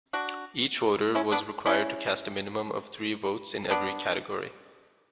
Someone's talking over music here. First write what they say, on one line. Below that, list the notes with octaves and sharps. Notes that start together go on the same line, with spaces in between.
Each voter was required to cast a minimum of three votes in every category.
D4 F#4
C#4 E4
B3 D4
C#4 E4
B3 D4